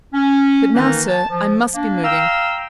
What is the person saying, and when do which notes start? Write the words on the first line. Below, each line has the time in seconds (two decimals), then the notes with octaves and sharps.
But now, sir, I must be moving.
0.13 C#4
0.74 D#3 E3 A#3 D#4
1.07 A5
1.30 F3
1.74 A#3 D4
2.04 F5 G5 A#5 E6